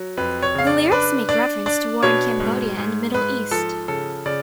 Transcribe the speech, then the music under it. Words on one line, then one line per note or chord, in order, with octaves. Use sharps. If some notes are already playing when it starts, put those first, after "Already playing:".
The lyrics make reference to war in Cambodia and Middle East.
Already playing: F#3
F2 B4
C#5
C#3 F5
D5
D4 B4
D4 D5
D4 D5
B2 C#5
G#2
G#2
G#2 B4
F3 A4
C#3 A4
C#3 D5